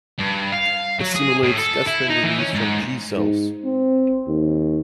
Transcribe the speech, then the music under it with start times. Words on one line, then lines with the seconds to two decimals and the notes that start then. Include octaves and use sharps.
It stimulates gastrin release from G cells.
0.19 G2
0.52 F5
1.00 F#3
1.15 G#4
1.43 A2
1.58 A4
1.87 E4
2.10 D#4
2.24 E3
2.39 C#4
2.54 G#2
3.15 G#2
3.64 C4
4.27 D#2